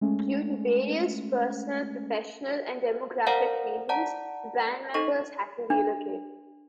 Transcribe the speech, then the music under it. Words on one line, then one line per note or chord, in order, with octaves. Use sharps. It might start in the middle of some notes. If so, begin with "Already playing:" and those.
Due to various personal, professional, and demographic reasons the band members had to relocate.
G#3 A3 C#4
A#4 C5 D5 F5 F#5 A#5
D5 F#5 A5 A#5
D#4 A4 D#5 C#6
D4